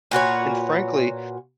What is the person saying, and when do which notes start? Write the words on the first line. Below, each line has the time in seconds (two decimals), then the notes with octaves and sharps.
and frankly,
0.11 A#2 F#4 B4 C#5